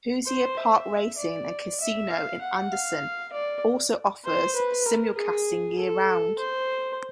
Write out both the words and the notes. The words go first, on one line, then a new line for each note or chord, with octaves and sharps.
Hoosier Park Racing and Casino in Anderson also offers simulcasting year-round.
C5
E5
D5
E5
F5
F#5
F5
D5
C5
B4
A#4
G#4
A4
C5